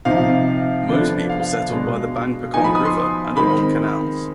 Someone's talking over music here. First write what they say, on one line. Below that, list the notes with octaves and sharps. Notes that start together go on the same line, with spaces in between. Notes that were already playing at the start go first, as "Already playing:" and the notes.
Most people settled by the Bang Pakong River and along canals.
C3 F3 C4 D#4 F5
D3 F3 B3 D4
F5
B2 G#3 D4
F3 B3 D#4 G#5
B5
D#6
C6
D#3 G#3 C4 B5